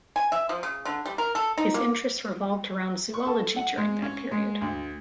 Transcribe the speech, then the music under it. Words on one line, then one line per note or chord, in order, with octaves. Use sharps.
His interests revolved around zoology during that period.
G#5
E5
F3
C#3
D3
G3
A#4
A4
D#4
A#3
C#6
A4
F#5
G#3
C#4
G#3
D2